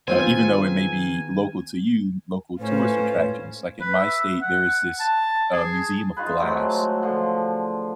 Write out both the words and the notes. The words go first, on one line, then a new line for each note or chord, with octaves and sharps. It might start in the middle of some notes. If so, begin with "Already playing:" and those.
Uh, even though it may be local to you, local tourist attractions, like in my state, there is this, uh, museum of Glass
D#3 B3 C4 F4 G#4 G#5
A2 C#4 F4 B4 C5
B4
E5
F#5
A5
G#4
D#4 F4 G#4 B4
C3 F#3 G#3 A3
D3 F3